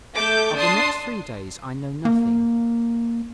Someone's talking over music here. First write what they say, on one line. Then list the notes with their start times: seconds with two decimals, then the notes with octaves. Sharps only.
Of the next three days I know nothing.
0.14 A3 D6 G6
0.57 D4 A5 C6 D#6 C7
2.05 A#3